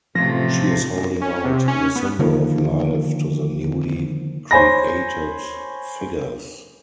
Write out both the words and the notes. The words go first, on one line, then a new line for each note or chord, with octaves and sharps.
She is holding out the symbol of life to the newly created figures.
A1 C3 F3 A3 A#6
C#4
C3
C#4
B3
D3 D#3 F3 A#3
C5 C#5 G#5 B5 A#6